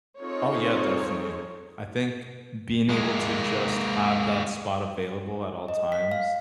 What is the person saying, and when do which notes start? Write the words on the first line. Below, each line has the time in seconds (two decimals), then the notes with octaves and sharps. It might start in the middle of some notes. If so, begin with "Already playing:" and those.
Oh yeah, definitely, I think being able to just have that spot available at all times
0.20 C4 D#4 F4 G#4 A4 C#5
2.89 G#3 A#3
5.68 D#5
5.92 B6
6.12 F5